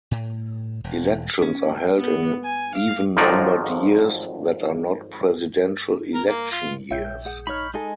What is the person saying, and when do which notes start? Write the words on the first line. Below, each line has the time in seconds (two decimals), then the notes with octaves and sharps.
Elections are held in even-numbered years that are not presidential election years.
0.11 A2
0.84 E1
1.42 C#4
1.98 B3
2.44 G#5
2.75 F5
3.17 G#1 F2 F3 F#3 D#4 D5
6.15 A#4
6.28 A#3
6.51 F4
6.91 A#1 C#5 E5 G5 G6
7.25 G#4 F#5
7.47 D#4 C#5 B5 C#6 F6
7.74 G#3 D#4 A4 D#5 G#5